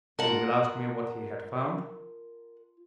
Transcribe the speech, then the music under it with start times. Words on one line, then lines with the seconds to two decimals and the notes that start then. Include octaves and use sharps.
You will ask me what he had found?
0.19 F4 A#4 F#5 A5